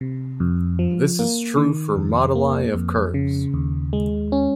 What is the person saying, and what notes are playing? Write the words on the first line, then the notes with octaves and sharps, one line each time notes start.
This is true for moduli of curves.
C3
F2
F3
A#3
D#3
F2
A#3
F2
C#3
D#2
G#3
C#4